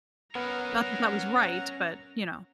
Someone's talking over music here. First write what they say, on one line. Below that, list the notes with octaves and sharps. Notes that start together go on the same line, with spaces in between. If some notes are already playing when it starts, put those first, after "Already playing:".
Not that that was right, but you know.
B3 C#4 A#4 F#5 A#5